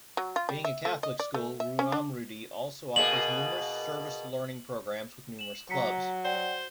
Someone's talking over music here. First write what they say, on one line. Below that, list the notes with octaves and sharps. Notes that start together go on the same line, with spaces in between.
Being a Catholic school Ruamrudee also offers numerous service learning programs with numerous clubs.
F#3
F4
G3
E5
A3
D#5
D5
A3
E5
C#4
D4
B2 A#3 G#4 F#7
E7 F#7
F#3 A#5 B6 C#7
C5 D5 F#5 G5